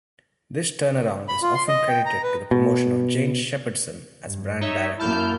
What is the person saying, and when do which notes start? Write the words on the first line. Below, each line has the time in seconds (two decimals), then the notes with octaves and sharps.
This turnaround is often credited to the promotion of Jane Shepherdson as brand director.
1.28 B5
1.42 F4
1.54 C6
1.68 D#5
1.88 G5
2.06 A#5
2.23 B4
2.51 B2
4.21 G2
4.61 D#4 C#5 E5
4.99 F#2 A#3 E4 A5 F6 G6